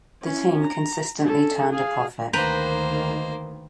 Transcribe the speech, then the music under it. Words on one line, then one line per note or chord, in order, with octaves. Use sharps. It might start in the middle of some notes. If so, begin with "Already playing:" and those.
The team consistently turned a profit.
C#4 E4
A#5
C#4 A4
G#4 F5
D2 D#3 A#3 B4 C5 G5 A#5